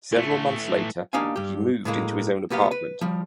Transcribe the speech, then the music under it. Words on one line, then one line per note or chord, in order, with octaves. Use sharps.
Several months later, he moved into his own apartment.
E3 A3
A#3 D4 D#4 G4 F5 G#5
G2 G4
A2 G#3 A#3
A#3 B3 G4 F5
B4
F3 G3